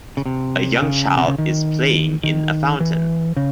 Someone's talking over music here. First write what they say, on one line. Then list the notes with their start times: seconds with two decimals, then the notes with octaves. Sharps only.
A young child is playing in a fountain.
0.17 C#3
0.26 C3
0.82 C#3
1.17 C3
1.28 C#3
1.38 D#3
2.24 D#3
2.80 E3
3.37 C#3